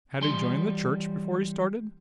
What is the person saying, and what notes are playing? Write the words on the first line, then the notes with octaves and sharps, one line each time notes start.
Had he joined the church before he started?
E3 G3 C6